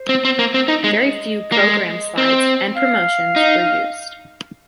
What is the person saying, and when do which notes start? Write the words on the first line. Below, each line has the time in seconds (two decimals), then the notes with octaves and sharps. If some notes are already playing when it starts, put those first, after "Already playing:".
Very few programme slides and promotions were used.
Already playing: C5
0.09 C4
0.25 C4
0.39 A#3
0.54 C4
0.68 D#4
0.84 G#3
0.98 D#5
1.52 A#3
1.58 G#3
2.18 C4
2.76 F5
3.36 D#4